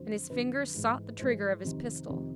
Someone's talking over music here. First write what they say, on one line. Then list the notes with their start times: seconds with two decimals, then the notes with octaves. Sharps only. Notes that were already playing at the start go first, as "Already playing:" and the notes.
And his finger sought the trigger of his pistol.
Already playing: F2 D3 F#3 C5
0.30 F2 D3 F#3 B4
0.74 G#2 E3 G#3
1.19 G#2 E3 G#3 C5
1.64 F2 C3 D#3
2.09 F2 C3 D#3